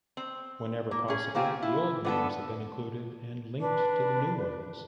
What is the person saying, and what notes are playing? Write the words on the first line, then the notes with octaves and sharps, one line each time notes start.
Wherever possible, the old names have been included and linked to the new ones.
C4
A#3
C#4 G#4
A#3 C4 F4 G4 G#5
E4
D3 B3 A4
D4 B4